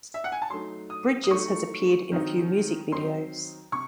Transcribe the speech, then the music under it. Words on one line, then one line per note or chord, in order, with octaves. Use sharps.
Bridges has appeared in a few music videos.
E5
F#5
G#5
A5
F#3 A3 D#4 C6
D#6
D#6
F#3 A3 D#4 C#6
D#3 F#3 C4 D#4
D#3 F#3 C4 D#4 C6
C3 C#6